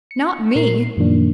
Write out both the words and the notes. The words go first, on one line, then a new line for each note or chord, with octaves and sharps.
Not me!
C#7
A#2 A#4 C7
F#2 A#2 D#3 F3 A#3 D4